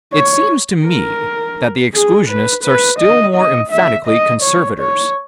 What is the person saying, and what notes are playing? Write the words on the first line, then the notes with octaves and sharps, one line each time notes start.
It seems to me that the exclusionists are still more emphatically conservators.
C#5
A#4
G#4
B4
B4
D#5
D#5
E5
D#5
C#5
C#5